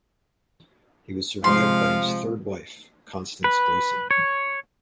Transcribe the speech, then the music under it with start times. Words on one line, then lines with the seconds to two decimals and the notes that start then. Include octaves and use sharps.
He was survived by his third wife, Constance Gleason.
1.44 C3 F3 G#3 F5 C6
3.44 B4
4.11 C#5